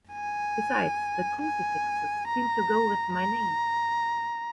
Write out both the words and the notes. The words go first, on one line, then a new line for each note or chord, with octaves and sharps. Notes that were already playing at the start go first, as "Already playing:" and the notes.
Besides, the crucifixes seem to go with my name.
G#5
G#5
A#5
A#5